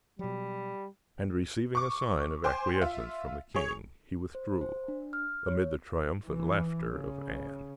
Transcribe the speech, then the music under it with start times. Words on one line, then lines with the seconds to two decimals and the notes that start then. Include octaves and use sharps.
And receiving a sign of acquiescence from the king, he withdrew, amid the triumphant laughter of Anne.
0.19 B2 F#3 G3
1.75 C#6 D6
2.44 C5 G5 G#5 C6 D6
2.81 F4 E5
3.55 G#4 C#5
4.35 C5
4.61 C5
4.88 D4
5.13 F6
5.47 C#5
6.26 E3
6.92 C#3